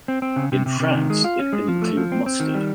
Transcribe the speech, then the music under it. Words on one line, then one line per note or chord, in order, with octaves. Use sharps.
In France it can include mustard.
C4
C4
C#3
C3
C3
C3
D#3
G#3
F4
C#4
G#3
F3
A3
F3
C4
C4
D#3
G3